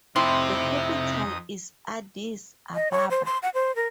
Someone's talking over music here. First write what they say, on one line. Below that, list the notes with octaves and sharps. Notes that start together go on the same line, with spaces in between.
The capital is Addis Ababa.
F2 A2 C3 C4 D#4 E4 C6 D#6
D#5
C#5
C5
C6
F#5
C5
A#4